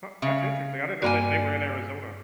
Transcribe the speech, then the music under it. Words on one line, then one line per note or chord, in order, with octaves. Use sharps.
Huh, that's interesting. I didn't know that they were in Arizona.
C#3 E5
G2 G3 A#3 F#4 D5 G#5